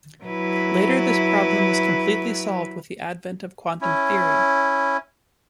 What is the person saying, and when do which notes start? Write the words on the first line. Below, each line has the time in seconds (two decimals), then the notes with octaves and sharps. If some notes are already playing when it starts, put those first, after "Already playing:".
Later this problem was completely solved with the advent of quantum theory.
0.25 F#3 E4 B4
3.81 C#4 E4